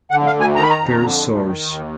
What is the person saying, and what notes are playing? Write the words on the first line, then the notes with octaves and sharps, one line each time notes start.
Per source.
D3 F#5
F5
D2
G#5
D#3 A#5
B5
A#5
F2
D3
D2
D#3
D#2